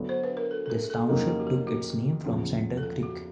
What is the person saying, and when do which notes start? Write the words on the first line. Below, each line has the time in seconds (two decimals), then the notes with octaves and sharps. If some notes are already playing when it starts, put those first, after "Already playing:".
This township took its name from Center Creek.
Already playing: D2 D3 F#3 B3 D4
0.09 C5
0.24 B4
0.37 A#4
0.51 A4
0.66 A4
0.70 A#4
0.84 G#4
0.90 A4
1.08 F2 C#3 F#3 A#3 D#4 G#4
1.28 G4
1.40 F#4
1.47 G4
1.67 F#4
2.25 E2 C#3 F3
2.77 A4
2.83 G#4
3.03 F#4